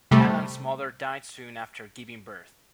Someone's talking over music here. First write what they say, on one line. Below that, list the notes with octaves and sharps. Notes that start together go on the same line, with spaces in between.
Allan's mother died soon after giving birth.
C3 G3 A3